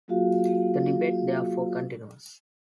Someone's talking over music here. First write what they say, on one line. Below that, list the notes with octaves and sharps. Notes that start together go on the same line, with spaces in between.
The debate therefore continues.
F#3 A#3 F4 F#4 G#4 F5